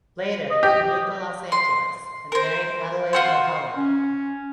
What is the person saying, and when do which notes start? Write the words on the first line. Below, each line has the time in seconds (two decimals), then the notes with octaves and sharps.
Later, he moved to Los Angeles and married Adelaide Mulholland.
0.50 D#5
0.63 G4
1.52 C6
2.32 A#4 C5
3.13 F4 F#4 C5
3.77 C#4